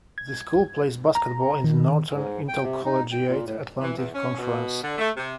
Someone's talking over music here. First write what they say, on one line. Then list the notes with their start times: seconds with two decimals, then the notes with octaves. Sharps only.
The school plays basketball in the Northern Intercollegiate Athletic Conference.
0.18 G#6
1.15 A#5
1.64 D#3
2.14 G#2
2.48 G5
2.63 C3
2.85 D#4
3.12 G5
3.29 A#2
3.46 A2
3.81 E3
3.96 E2
4.14 C#4
4.39 B2
4.82 D3
4.98 A3
5.16 C3